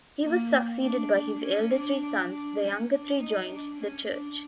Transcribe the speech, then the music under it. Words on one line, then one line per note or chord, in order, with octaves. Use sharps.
He was succeeded by his elder three sons, the younger three joined the Church.
A#3
D4
D4
C#4
D4
D4
D4
C#4
D4
D#4
D4
C#4
D4